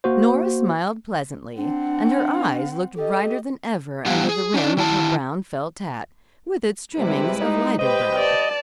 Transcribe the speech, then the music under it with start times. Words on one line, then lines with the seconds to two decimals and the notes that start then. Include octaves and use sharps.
Nora smiled pleasantly, and her eyes looked brighter than ever under the rim of her brown felt hat, with its trimmings of lighter brown.
0.04 A#3 F#4 C5
1.57 C4 D4 F#5
2.96 G4 A4 D#5
4.06 G3 B3 G4 F5 F#5
4.29 G#4
4.54 C#4 D#4 D5
4.77 D#3 E4 A5
6.97 C3 G3 G#3 E4 B4
7.42 D#4
7.79 G4 B4 C5 D#5 G5
8.18 D5 A5